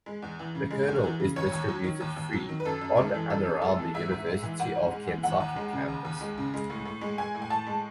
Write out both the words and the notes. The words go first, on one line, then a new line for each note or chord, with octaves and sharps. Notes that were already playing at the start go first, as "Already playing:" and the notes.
The "Kernel" is distributed free on and around the University of Kentucky campus.
G#3
E2
E3
C#3
G#3
E2
E3
C#3
D#2 C#5
D#2
F#3
D#3
D#2
D#2
F#3
D#3
B4
F#2 A4
F#2
G#3
E3
F#2 A4
F#2
G#3 A4
E3
G#2 E5
G#2
G#3
E3
G#2 F#5
G#2
G#3
E3
D#2 F#5
D#2
G#3
C#3
D#2
D#2
G#3
C#3
G#3
A2
A2
G#3
G#3 G#5
A2
G#5
A2 A5
G#3